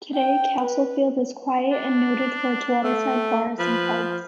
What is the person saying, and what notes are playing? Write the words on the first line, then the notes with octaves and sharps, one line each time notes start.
Today, Castlefield is quiet and noted for its waterside bars and pubs.
G5
B4
D4
A3
F3 B4